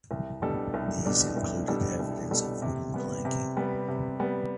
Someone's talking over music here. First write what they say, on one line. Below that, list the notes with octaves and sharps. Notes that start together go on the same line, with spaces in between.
These included evidence of wooden planking.
C2
B2 G3 D4 A4
C2
B2 G3 D4 A4
C2
B2 G3 D4 A4
C2
B2 G3 D4 A4
C3
G3 B3
C3
G3 B3
C3
G3 B3